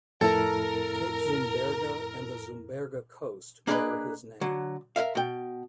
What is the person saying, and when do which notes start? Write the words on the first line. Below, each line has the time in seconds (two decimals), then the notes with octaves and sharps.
Cape Zumberge and the Zumberge Coast bear his name.
0.21 F2 A2 E4 A4 A#4
3.67 A#3 D4 G#4 A4 B4 D#5
4.41 D3 F#3
4.96 A#4 C5 E5 F5
5.15 B2 G5